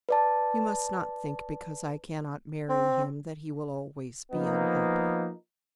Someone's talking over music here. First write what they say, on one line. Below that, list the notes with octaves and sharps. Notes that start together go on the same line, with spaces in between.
You must not think because I cannot marry him that he will always be unhappy.
B4 D5 A5
C4
F3 A#3 B3 D#4